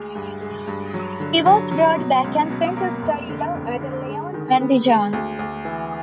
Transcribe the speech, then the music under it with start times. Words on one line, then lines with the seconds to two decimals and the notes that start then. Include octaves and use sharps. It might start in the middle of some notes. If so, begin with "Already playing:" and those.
He was brought back and sent to study law at Lyon and Dijon.
Already playing: D2 G#3
0.15 G2
0.41 G#3
0.67 G2
0.94 F#3
1.20 D3
1.46 F#3
1.71 F#3
1.98 B2
2.24 C#2
2.50 B2
2.77 A#3
3.02 F1
3.29 D3
3.55 F2
3.81 D3
4.07 G#3
4.34 D#3
4.60 B3
4.86 G#3
5.13 D2
5.39 D2
5.65 E3